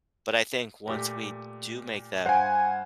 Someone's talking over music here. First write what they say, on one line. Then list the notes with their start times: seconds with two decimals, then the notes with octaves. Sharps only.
but I think once we do make that,
0.87 A#2 A3 G4
2.25 G2 C5 F5 F#5 G#5